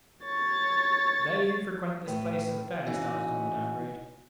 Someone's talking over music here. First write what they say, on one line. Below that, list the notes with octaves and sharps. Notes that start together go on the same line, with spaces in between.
They who frequent this place have fairly started on the down grade.
C#5 A6
A2 B4
C#3 E3 D#4 F#4